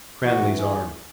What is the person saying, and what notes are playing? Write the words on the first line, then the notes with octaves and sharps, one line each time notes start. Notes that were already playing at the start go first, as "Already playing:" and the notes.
Cranly's arm.
E3 F#4
G#4